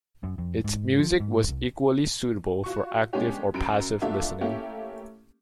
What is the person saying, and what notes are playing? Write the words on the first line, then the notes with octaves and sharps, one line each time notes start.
Its music was equally suitable for active or passive listening.
F#2
F2
G#2
F3
G#2
C2
F4 F#4 C#6
G#3 B3 C#4 D4 G4 C#5
F#2 D7
A3 A#3 D4 F4 G4 E5
A3 A#3 C#4 E4 G4